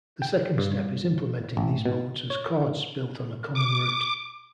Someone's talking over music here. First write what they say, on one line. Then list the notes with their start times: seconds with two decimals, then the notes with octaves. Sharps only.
The second step is implementing these modes as chords built on a common root.
0.22 G5
0.58 G2
1.57 A1
1.86 B2
2.30 C#5
3.55 D6